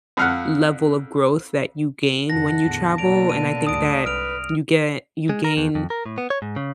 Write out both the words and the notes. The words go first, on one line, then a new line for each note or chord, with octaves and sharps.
level of growth that you gain when you travel, and I think that you get you gain,
F2 F5 F#5
F2 C#3 F#5 A5 A#6
E2 A2 D3
B2 D3 A#3 D7 F7
D#7
D2 G#2 D#6 D7
C2 B4 F6 D7 F7
G#3
A#4
E2
F2
A#4
A2
B3
C#5
G#2
C#3